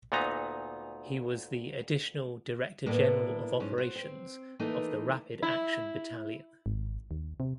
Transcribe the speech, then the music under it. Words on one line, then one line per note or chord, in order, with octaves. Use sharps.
He was the Additional Director General of Operations of the Rapid Action Battalion.
D2 A#2 B3 D#4 A#5
A2 A#3 B3 D4
G#2 F#3 C#4
F#4 C5
C4
E3 A3 A#3 D#4
E4
G#1
D#2
C3